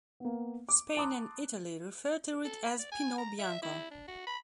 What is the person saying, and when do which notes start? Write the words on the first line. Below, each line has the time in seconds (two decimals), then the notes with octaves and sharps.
Spain and Italy refer to it as Pinot bianco.
0.20 A#3 B3
0.69 D6
0.97 A5 A#5 C6 D6 D#6 F#6
2.45 A4
2.65 B5
2.79 D5
2.92 G#5
3.18 A#5
3.39 E5
3.63 E4
3.91 D4
4.08 F#4
4.27 B5